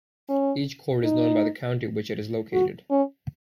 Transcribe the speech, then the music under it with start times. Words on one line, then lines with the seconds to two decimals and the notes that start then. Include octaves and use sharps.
Each court is known by the county which it is located.
0.29 C#4
1.04 D#4
2.53 F#4
2.91 C#4